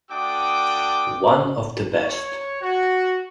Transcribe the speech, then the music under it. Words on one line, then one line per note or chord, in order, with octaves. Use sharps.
One of the best.
A3 D4 F#4 G5 D6 D#6
C#5
F#4